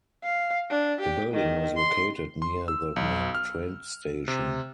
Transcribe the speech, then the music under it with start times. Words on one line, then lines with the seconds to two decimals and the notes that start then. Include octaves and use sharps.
The building was located near the main train station.
0.23 F5
0.70 D4
1.00 G4
1.33 D#3
1.77 C6
2.42 C6
2.68 E6
2.96 B1
3.35 F6
4.28 C3